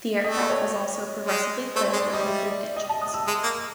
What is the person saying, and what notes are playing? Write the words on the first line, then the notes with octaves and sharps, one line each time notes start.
The aircraft was also progressively fitted with improved engines.
A3 D#5
D5
C#5
C#5
G#3
A3 C5
C#5
G#3
D5
G3 D#5
E5
D5
D#5
A5
D#6
E6
G#3
A#3